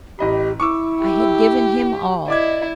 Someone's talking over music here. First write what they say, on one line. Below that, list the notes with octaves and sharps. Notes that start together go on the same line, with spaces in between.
I had given him all.
A1 G4 D#5 B5
E4 C#6 D6 E6
G4
E4 D5 D#5 D6 G#6